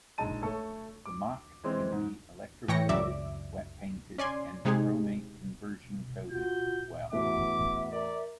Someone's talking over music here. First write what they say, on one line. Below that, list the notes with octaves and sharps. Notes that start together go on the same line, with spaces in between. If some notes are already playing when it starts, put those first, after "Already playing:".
Zamak can be electroplated, wet painted, and chromate conversion coated well.
A#1 G#3 D#4 A5 D#7
A3 A4 C#5
D6
E3 G#3 C4 C5
G#2
A2 E3 C#5 G5 A#6 C#7
C#2 F#2 C#3 D5 E5 D6
C#4 D5 G#5 C6
C3 G#3 D#4 G4 G#4
F4 F#4 G6
A1 E2 B3 F#4 E5 D6
A#4 D5